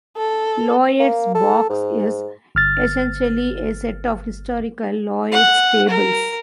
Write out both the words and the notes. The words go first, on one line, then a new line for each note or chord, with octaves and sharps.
Lloyd's Box is essentially a set of historical Lloyd's Tables.
A4
A#3
A4
G#2
G1 F6 A6
F#5
A#4